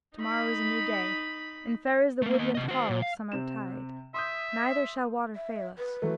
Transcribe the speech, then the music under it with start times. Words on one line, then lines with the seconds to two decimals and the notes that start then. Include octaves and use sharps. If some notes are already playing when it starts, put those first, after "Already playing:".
To-morrow is a new day, and fair is the woodland-hall of summer-tide; neither shall water fail us.
0.17 D#4 B5
2.22 A3 A#3
2.39 A#3 D#5
2.55 C3 D#5
2.68 F#4 C5
2.90 A#2
3.02 F5
3.32 C3 C4 E7
4.14 E5 C6 D#6 G6
5.35 E5
5.78 B4
6.02 E3 F#3 A3